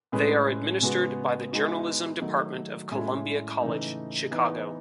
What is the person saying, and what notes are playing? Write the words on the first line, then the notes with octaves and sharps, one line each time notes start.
They are administered by the Journalism Department of Columbia College Chicago.
A2 G#3 C#4 G#4 B4
C#3 G#3 B3 F#4
G#3 B3 D#4 F#4
D#3 F#3 A3 D#4
A2 G#3 C#4 E4 A4
C#3 E3 A3 D#4
E3 B3 D#4